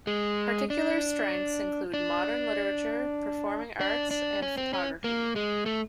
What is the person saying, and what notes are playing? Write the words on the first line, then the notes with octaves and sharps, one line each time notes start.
Particular strengths include modern literature, performing arts, and photography.
G#3
D4
D4
D4
D4
C#4
C4
C#4
A#3
G#3
A3